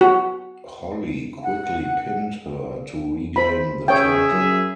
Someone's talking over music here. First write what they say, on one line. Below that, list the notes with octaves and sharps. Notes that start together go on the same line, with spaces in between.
Holly quickly pinned her to regain the title.
F#4
F#5
C5 B5
C#3 G#4 C#5 E5 G5
F#2